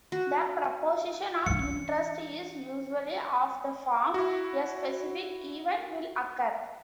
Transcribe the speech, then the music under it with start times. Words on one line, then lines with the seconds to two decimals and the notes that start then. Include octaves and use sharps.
The proposition of interest is usually of the form A specific event will occur.
0.12 F#4
1.46 E3 D4 C#7
4.14 E4 F#4